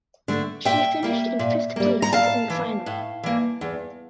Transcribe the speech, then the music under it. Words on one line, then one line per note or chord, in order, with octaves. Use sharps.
She finished in fifth place in the final.
D3 A3
A#2 E5 G5
G3 A#3
A#2
G3 A#3
A#5
A2 F5 A5
E3 A#3
A2
E3 A#3
E2